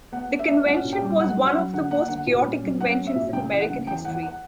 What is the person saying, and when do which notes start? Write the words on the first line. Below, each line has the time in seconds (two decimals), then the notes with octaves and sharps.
The convention was one of the most chaotic conventions in American history.
0.12 B3 F#5
0.31 D4
0.39 E5
0.48 D4
0.66 C#4 F#5
0.84 A#2
0.93 G5
1.01 G3
1.20 F#3 F#5
1.37 C#4
1.46 F#5
1.55 F#3
1.73 D3 F#5
1.90 A#3 F#5
2.08 D3 F#5
2.27 A#2
2.44 C#4
2.63 F#3
2.80 C#4 F#5
2.98 A#3
3.07 E5
3.16 A#2
3.33 C#3 G5
3.51 E3
3.60 F#5
3.70 C#3
3.87 E2 G5
4.04 E2 F#5
4.23 F#5